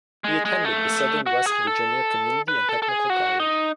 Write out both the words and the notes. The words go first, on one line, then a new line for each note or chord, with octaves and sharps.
He attended the Southern West Virginia Community and Technical College.
G#3
G#3
A3
F#4
G#4
A4
B4
A4
A4
G#4
F#4
D#4